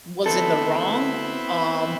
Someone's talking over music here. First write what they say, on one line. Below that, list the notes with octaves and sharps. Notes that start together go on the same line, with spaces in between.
was in the wrong, um,
D2 B3 C4 E4 A4